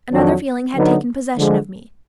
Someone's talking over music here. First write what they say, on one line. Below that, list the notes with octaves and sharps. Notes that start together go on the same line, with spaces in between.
Another feeling had taken possession of me.
F2 D#3 F#3 D4
D3 F#3 B3 D#4
D3 F3 G#3